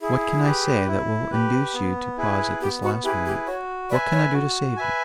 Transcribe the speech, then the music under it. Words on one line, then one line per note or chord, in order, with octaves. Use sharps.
What can I say, that will induce you to pause at this last moment? What can I do to save you?'
E4 G#4
G4 B4
E4
G4 B4
B3
E4 G#4 B4
B3 G4
F#4
E4 G4 G#4 B4
G4
F#4 C#5
B4 D5 E5 G#5
C#5
F#4
B4 E5 G#5